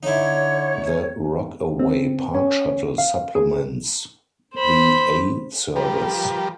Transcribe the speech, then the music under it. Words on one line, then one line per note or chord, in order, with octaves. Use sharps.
The Rockaway Park Shuttle supplements the A service.
D3 D#4 E4 C#5
C4
C#4
F5
G#4
C5 B5
F3 G3 G4 A#4 B4